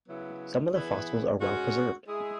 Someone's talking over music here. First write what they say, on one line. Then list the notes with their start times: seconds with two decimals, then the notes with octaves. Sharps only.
Some of the fossils are well-preserved.
0.08 C#3 F#3 B3 E4
0.74 E3 B3 E4 G#4 B4
1.39 G#3 C#4 F#4
2.06 G#3 E4 G#4 E5